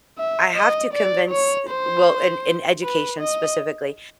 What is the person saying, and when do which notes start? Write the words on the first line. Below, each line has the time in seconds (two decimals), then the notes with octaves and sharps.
I have to convince well, in in education specifically,
0.18 E5
0.55 D#5
0.93 D5
1.31 C#5
1.69 C5
2.83 B4
3.21 D#5